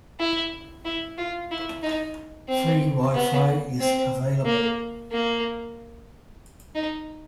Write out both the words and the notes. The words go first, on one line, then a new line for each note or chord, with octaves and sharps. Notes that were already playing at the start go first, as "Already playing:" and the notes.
Free wi-fi is available.
E4
E4
F4
E4
D#4
C4
B3
C4
A#3
A#3
D#4